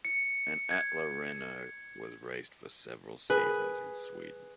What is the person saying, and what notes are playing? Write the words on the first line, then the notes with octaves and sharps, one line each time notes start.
An Atla-Renault was raced for several seasons in Sweden.
C#7
G#6
G#4 B4